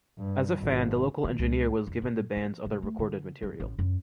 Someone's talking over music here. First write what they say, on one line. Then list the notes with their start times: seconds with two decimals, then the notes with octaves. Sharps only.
As a fan the local engineer was given the band's other recorded material.
0.18 G2
0.59 G#1
1.24 D#3
1.39 C#2
1.87 F2
2.02 A#2
2.36 F3
2.66 C2
2.82 A3
2.99 D3
3.42 F#2
3.60 A1
3.79 F#2